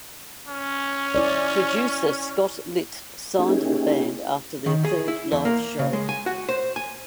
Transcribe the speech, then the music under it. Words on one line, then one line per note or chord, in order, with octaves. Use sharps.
Producer Scott Litt signed the band after their third live show.
C#4
E4 C#5 D5
A#3 C#4 D#4 E4 G4 G#4
D#3
G#4
E4
E2
A#3
C#3
G#3
G#5
F#4
C5
G#5